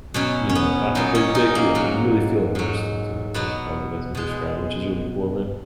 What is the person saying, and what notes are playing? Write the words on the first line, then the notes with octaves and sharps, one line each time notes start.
you know uh, they they yeah, you really feel immersed into it, is probably the best way to describe it, which is really cool, and then
B2 F#3 C#4
C#4
B3
A#2 F#3 D#4
C#4
D#4
A#3
G#2 F#3
G#2 F#3
B2 F#3 B3
B2 G#3